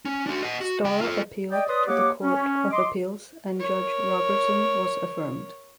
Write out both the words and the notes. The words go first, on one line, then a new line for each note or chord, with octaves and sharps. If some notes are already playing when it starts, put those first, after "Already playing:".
Starr appealed to the Court of Appeals and Judge Robertson was affirmed.
C#4
D4 F#4
D#5 F#5
F#4
C#3 G5
F4 A4
D5 D#5 G5
B4 C#5 D5 C6 D#6
A#3 G4 C#5 D#5 F#5 D6
C#4
D#5 C6 D6
A#4 C#5